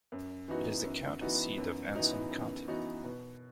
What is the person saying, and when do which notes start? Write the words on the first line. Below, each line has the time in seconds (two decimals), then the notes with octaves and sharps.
It is the county seat of Anson County.
0.12 F#2
0.48 E3 B3 D#4 F#4
0.84 F#2
1.21 E3 B3 D#4 F#4
1.58 F#2
1.95 E3 B3 D#4 F#4
2.31 F#2
2.68 E3 B3 D#4 F#4
3.04 B2